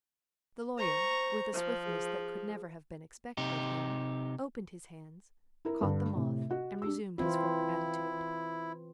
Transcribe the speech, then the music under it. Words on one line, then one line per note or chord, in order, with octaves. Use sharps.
The lawyer, with a swiftness that could never have been expected of him, opened his hands, caught the moth, and resumed his former attitude.
C5 A#5 C#6
F3
G#4
C3 D#4 G4
E4 A#4
G2 D3
A2 C3
F#4 D#5
D4 G4 E6
E3 C4 E4 F4